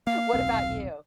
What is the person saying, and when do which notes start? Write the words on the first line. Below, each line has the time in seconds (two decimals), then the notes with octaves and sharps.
What about you?
0.07 A#3 F5
0.33 D#1 B1 C4